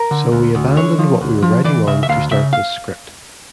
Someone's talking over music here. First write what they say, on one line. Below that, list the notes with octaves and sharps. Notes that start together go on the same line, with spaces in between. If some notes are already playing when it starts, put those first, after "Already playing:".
So we abandoned what we were writing on to start this script.
Already playing: A#4
D3
D2
D2
D3 C#5
F3
D2
F3
E3 D5
C#3 E5
E5
D2 F5
C#3 E5
F5